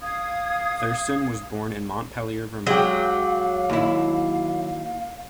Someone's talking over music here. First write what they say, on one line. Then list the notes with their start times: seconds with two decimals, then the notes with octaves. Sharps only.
Thurston was born in Montpelier, Vermont.
0.01 F5 D#6 G#6
2.67 F#3 G#3 G4 F5
3.70 D#2 E4